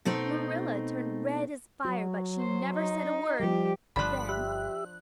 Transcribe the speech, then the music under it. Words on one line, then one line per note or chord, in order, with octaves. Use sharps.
Marilla turned red as fire but she never said a word--then.
B2 A3 C4 D#4
F#3 F#4
C5
D#4
F3 G3 G4
G1 G2 D3 F3 D4 B5 F#6
G4 E5 F#6